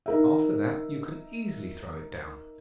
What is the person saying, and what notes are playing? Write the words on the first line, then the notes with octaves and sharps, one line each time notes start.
After that you can easily throw it down.'
D#4 A#4 E5